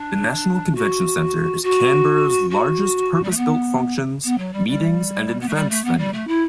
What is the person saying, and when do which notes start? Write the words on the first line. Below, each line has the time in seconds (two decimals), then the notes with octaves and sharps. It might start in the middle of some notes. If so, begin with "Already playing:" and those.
The National Convention Centre is Canberra's largest, purpose-built functions, meetings and events venue.
Already playing: D4
0.75 F#4
1.63 F#4
2.50 F#4
3.23 G3
3.30 A3
3.37 B3
4.24 B3
4.38 F#3
4.53 G3
4.68 G3
5.40 B3
5.48 A3
5.55 G3
5.70 A3
5.84 B3
5.98 G3
6.13 A3
6.27 E4